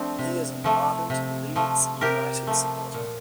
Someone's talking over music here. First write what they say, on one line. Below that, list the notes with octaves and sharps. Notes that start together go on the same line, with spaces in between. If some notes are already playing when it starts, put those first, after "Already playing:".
He is an ardent Leeds United supporter.
Already playing: F3 A3 C4 D4
C3
F3 A3
C3
F3 A3
C3 G4 A#4
F3 A3
A#2